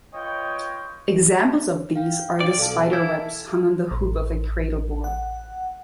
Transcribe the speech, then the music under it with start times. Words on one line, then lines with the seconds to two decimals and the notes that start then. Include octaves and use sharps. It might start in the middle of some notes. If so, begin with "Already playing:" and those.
Examples of these are the "spiderwebs" hung on the hoop of a cradle board.
0.14 F4 B4 C#5 D#5 G5
1.96 F5 G5
2.40 D5
2.58 B1 A4 F5 A5
2.91 E3 E4
3.91 A1
5.04 F#5